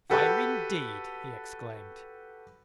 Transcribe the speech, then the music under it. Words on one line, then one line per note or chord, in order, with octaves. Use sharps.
"Fire, indeed!" he exclaimed.
F#4 G4 A4 B4